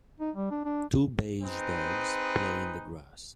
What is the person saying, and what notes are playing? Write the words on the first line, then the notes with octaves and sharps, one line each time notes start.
Two beige dogs play in the grass.
D#4
G3
D4
D4
C4 D#4 G#4 B4